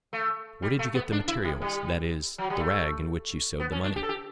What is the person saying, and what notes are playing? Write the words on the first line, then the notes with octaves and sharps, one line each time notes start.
"Where did you get the material, that is, the rag in which you sewed the money?"
A3
G3
A3
B3
D4
E4
G3
G3
F#3
G3
A3
B3
C#4
D4
G4
A4
G4